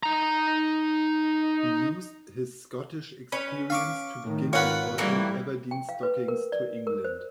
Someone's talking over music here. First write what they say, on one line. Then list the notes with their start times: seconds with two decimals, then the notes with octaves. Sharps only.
He used his Scottish experience to begin importing Aberdeen stockings to England.
0.03 D#4 A#5
3.32 C#4 B4
3.70 F5 C#6 D6
4.22 A2 D#3
4.53 G#1 F4 A#4 B4 C#5 F#5
4.98 A2 E3 G3 A#3
5.71 G5
5.89 F5
6.03 B4
6.28 A#4
6.52 D5
6.87 A#4
7.05 C5